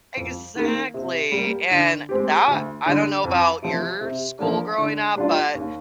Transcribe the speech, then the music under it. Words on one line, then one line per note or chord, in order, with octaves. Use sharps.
Exactly, and that, I don't know about your school growing up, but
F2
D#3 A#3
C3
G3
A#3
D3
G#3 C4 G4
D2
D3 G3
F2
C3 F3
C3
F3 A#3 D4
D3
G3 D4 F4
D#2